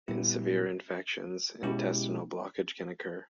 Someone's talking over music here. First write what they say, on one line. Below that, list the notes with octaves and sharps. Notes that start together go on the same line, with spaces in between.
In severe infections, intestinal blockage can occur.
A#2 G3 B3 E4 G4
B2 G#3 C#4 E4 G4